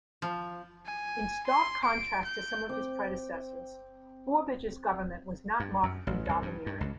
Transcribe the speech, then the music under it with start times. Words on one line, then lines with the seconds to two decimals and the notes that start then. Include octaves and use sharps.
In stark contrast to some of his predecessors, Borbidge's government was not markedly domineering.
0.22 F3
0.86 G#5
1.47 C6
1.84 D7
2.25 G6
2.69 C4 D6
5.60 G2
5.83 F#2
6.07 A1
6.29 C2
6.42 G2
6.66 G2
6.81 C#2